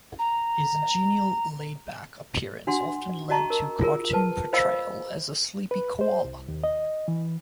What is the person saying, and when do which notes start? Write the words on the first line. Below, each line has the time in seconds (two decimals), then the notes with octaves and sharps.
His genial, laid-back appearance often led to cartoon portrayal as a sleepy koala.
0.19 A#5
2.67 D4 F#4 F#5 C6
3.30 F#4 D#5 A5 A#5 C#6
3.50 A#4
3.81 F4 G#4 A#4
4.13 B4 A5
4.53 C5 D#5 F5 B5 E6
5.71 B4
6.01 C5
6.25 C2
6.48 D#2
6.64 D#5
7.08 E3